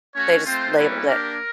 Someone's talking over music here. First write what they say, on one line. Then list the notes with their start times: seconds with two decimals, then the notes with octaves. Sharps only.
They just labeled it.
0.14 A3 C#4 F#4 C#5
0.45 A3 C4 F4 C5
0.76 G3 A#3 C#4 E4 B4
1.06 A#3 D4 G4 A#4